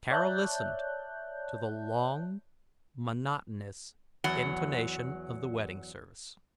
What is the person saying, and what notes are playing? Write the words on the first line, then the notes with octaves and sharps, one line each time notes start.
Tara listened to the long, monotonous intonation of the wedding service.
C#5 D5 E5 A5 F#6 G6
E2 F#3 F#5